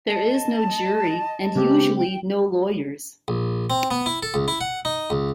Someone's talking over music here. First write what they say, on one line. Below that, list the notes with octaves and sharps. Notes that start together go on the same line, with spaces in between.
There is no jury and usually no lawyers.
D#5 A5
C#3 G#3 C4 G4
G5
A#1
C4
B3
E4
A4
C#2
E4
F#5
D#4
C#2